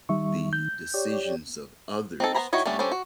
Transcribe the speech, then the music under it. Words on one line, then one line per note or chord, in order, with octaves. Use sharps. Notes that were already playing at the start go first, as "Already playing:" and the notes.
the decisions of others to
D#3 G3 E5 C#6
G6
G4 C#5 D5
C4 D#4 A4
B3 C5 G#5 A#5 B5
D#3 E4 F#4 C#5 D#5
G3 A3 B3 C#4 D4
G3 C#4 D4 A4 C5
F#4